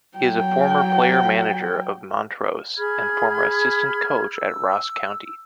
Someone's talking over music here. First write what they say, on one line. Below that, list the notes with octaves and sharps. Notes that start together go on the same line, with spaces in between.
He is a former player-manager of Montrose and former assistant coach at Ross County.
F#3 G5
G#4 B5 F6 G#6
E6